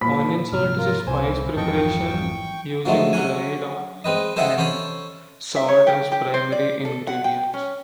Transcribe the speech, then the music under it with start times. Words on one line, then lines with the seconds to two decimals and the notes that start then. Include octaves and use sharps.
Onion salt is a spice preparation using dried onion and salt as primary ingredients.
0.01 D#2 A#2 F3 B5 B6
0.52 G#2 C3 F3 F6
0.78 F4 A#4
1.07 C2 C3 E3 C5 G#5
1.57 G#1 F2 E3 F#3 D#5 G5 A5 C#6
2.86 F3 F#3 G#3 A3
3.13 F#3 C#4 F#5 G#5
4.04 G#3 C4 B4 D#5
4.36 A4 C5 D#5 E5 F#5 G5
4.58 C#4 A4 C5 C#5 B5
5.56 E5
5.69 C#5
5.87 G4
6.12 G4
6.34 C5
6.52 D5
6.85 A4
7.07 F#5
7.24 G5
7.54 C#4